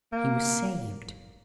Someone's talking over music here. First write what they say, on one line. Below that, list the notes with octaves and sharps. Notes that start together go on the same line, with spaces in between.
He was saved.
A#3